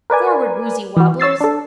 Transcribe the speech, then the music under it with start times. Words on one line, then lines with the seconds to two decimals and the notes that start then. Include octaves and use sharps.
Forward, woozy wobblers!
0.10 A#4 B4 D5 G#5
0.97 E3 F#4
1.20 C#5 E6 A6 C7
1.41 D4 A4